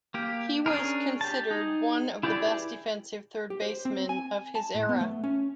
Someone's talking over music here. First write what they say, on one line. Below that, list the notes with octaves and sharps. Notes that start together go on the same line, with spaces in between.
He was considered one of the best defensive third basemen of his era.
A#3 G4
C#4 D4 G#4 A#4
G4 A5
D#4 G#4
E4 G4 G#4 B4 D5
G4
C5
C4
G#5
A5
A2
B3
A3
C#4